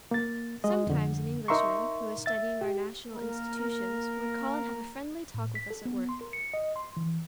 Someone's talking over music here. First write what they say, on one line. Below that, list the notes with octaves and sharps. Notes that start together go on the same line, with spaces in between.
Sometimes an Englishman, who was studying our national institutions, would call and have a friendly talk with us at work.
A#3 A6
G#3 D#5
F2 D3
D#4 A#4 E5 A#5 C6 C#6
E5 A6
G4
A#3 A#4
A2
B6
A4
B3
C6
A#4
C#7
D#5
C6
E3